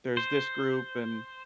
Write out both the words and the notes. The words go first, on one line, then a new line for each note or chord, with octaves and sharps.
"There's this group and"
C5